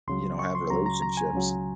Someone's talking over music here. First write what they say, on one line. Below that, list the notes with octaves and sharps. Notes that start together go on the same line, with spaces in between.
you know, have relationships.
C#2 C#3 F#3 C6
C#6
C6
C#2 C#3 F#3 A#5
A#5
A#5
G#5
C#2 C#3 F#3